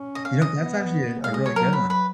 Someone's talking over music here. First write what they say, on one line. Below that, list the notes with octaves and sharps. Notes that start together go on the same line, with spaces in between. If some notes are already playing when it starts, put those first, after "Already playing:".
You know, that's actually, uh, a really good one.
Already playing: C#4
D#5
F5
D#5
B3
G#3 F5
D#5
C#5
F#3 A#4
B4
B4